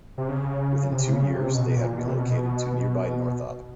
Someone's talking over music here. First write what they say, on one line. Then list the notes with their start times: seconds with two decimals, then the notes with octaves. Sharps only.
Within two years they had relocated to nearby Northop.
0.18 C3
0.28 C#3
0.91 C3
1.12 C#3
1.33 C3
1.55 B2
1.69 B2
1.76 A#2
1.98 B2
2.07 C3
2.17 B2